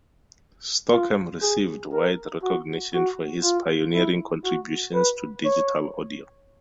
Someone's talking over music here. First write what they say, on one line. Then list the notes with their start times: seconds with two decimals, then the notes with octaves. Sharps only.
Stockham received wide recognition for his pioneering contributions to digital audio.
0.92 F4
1.42 G#4
1.93 A#4
2.43 F#4
2.94 F#4
3.43 F4
3.94 E4
4.45 F#4
4.95 B4
5.45 C#5